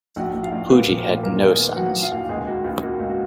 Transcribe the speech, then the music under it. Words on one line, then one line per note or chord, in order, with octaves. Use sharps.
Pujie had no sons.
A#1 F#4 F#5
A#1
F4 F5
A#1
A#2 B3 B4
F3
A#3 A#4
A#2
D#2 A#3 A#4
D#2
G#4 G#5
B3
F#3 F#4 F#5
F#3
F4 F5
D#2
C#2 G#3 G#4
A#3 F#4
C#2 F4
A#3 F#4
C#2
F#4